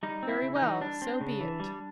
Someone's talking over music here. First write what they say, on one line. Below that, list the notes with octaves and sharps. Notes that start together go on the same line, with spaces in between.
"Very well: so be it."
G3 D#4
C4
E4
C#3
D#4
E3
G3 D4
C4
C#3
E3
G3